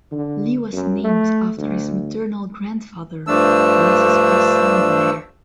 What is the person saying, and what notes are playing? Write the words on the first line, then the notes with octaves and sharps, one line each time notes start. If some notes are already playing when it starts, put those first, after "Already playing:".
Lee was named after his maternal grandfather, Francis Preston Blair.
D3
F#2
A3
D2
G2 F3 A3 D4 E6